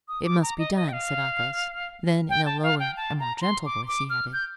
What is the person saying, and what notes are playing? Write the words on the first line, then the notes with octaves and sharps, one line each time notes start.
"It must be done," said Athos; then in a lower and more gentle voice, he added.
D#6
D6
A#5
D#5
D#5
G5
F5
G5
A5
F5
G5
A5
A#5
A#5
C6
D6
D6
F6
G6